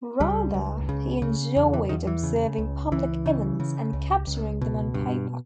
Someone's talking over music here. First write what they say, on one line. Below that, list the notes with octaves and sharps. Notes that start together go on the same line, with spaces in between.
Rather, he enjoyed observing public events and capturing them on paper.
C#2 G3
C#2
C#3
C#3
E2
E3
E2 D#3
E3
C#3
C#2
C#2 E3
C#3
C#3
C#2
C#2
B2
G2